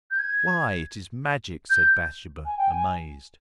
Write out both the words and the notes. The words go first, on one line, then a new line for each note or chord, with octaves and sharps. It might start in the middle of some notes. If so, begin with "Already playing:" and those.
"Why, it is magic!" said Bathsheba, amazed.
G6
G#6
G6
G#5
G5
G#5